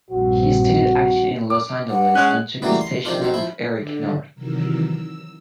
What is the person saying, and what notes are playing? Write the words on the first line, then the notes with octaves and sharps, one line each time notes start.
He studied acting in Los Angeles and took the stage name of Eric Nord.
A#1 G2 C4 F#4
D6
F#5
G#3 C#4 F#6
C#3 E3 F#3 G3 A3 A#3
C6
C3 D#3 F3 D4 F4
B1 B2 C4
F3 E4
D3
C3 D#3 E3 F#3 A#4 E6
E6